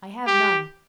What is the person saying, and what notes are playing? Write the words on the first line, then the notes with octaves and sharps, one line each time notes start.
"I have none."
G4